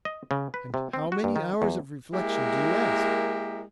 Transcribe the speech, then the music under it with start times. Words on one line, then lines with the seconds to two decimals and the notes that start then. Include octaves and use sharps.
"And how many hours of reflection do you ask?"
0.05 D#5
0.31 C#3
0.54 B4
0.74 C3
0.93 C4
1.12 F#4
1.24 G2
1.36 D#3
1.62 E2
2.13 G#3 A#3 E4 G4 A#4